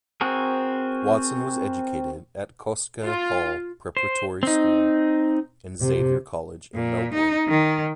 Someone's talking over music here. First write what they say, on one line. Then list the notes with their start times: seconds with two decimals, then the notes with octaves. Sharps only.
Watson was educated at Kostka Hall preparatory school and Xavier College in Melbourne.
0.21 C4 F#4 G#4 A#4
3.05 F4
3.97 C5
4.43 C4 D#4
5.80 C3
6.75 A#2
7.14 D#4
7.48 D#3